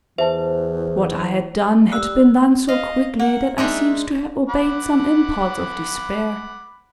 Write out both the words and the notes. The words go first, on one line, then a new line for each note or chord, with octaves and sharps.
What I had done had been done so quickly that I seemed to have obeyed some impulse of despair.
E2 E3 C5 E5 A5
G3 E6 F#6
D#5 F5
A#3 F#5
G#3 D4 D#4 E5
F#5 B5 D6